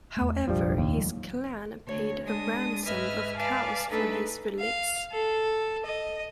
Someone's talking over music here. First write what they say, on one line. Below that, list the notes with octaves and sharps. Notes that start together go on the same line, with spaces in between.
However his clan paid a ransom of cows for his release.
E2 A3
F1 A#1 F3 G3 D4
D#2
E3 F#3 G#3
D2 C#5
G#3 D4 D#6
G#2 B4 D#5 E5 F6 G#6
B4 D5 F5 G#5 A5
A3 D4 D#4 A4 B4
F5
A4
D#5